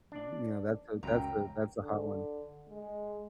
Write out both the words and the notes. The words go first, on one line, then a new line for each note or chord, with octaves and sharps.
You know, that's a that's a that's a hot one.
D4 D5
C#2 F#2 G5 A#5
D3
G#3